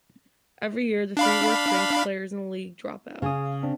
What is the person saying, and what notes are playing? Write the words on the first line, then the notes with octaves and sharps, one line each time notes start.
Every year, the three worst-ranked players in the league drop out.
D4 F5 B5
C#3 F5 G#5 D#6
C4 D4